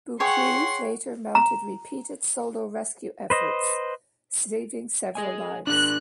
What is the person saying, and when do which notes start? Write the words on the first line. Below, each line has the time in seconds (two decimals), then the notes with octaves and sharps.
Boukreev later mounted repeated solo rescue efforts, saving several lives.
0.20 G#4 C#5 F#5 G5 C6 C#6
1.35 A#5
3.30 B4 C5 D#5
5.15 G#4 D#5 G#5
5.67 D4 G#4 A#4 F#6